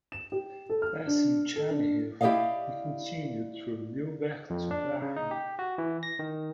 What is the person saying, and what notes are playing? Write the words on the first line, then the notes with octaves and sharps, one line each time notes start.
Passing Chernihiv, he continued through Liubech to Brahin.
E7
G4
A4
F6
D4
A4
D4
E4 G4 G#4 D5 D#5 F5
F2
D4
C#3
D#4
G4
F#4
E3
A#6
D#3